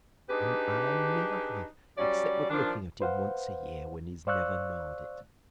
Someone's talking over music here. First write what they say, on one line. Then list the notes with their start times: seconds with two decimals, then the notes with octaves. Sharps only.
And I never have, except with looking at him once a year, when he has never knowed it.
0.30 D4 D#4 G4 G#4 B4
1.98 F#3 G3 C#4 D5
2.50 D#3 F3 D4
3.01 B4 C5 F5 F#5
4.27 C5 D5 F5 C#6 E6 F#6